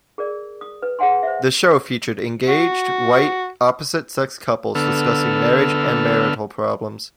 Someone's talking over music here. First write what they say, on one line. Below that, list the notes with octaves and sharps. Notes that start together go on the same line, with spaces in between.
The show featured engaged white, opposite-sex couples discussing marriage and marital problems.
G#4 A#4 D5
D#6
B4
G#4 C#5 F#5 G#5 C6
C5 E5
F#4
D3 B3 A4 E6 F6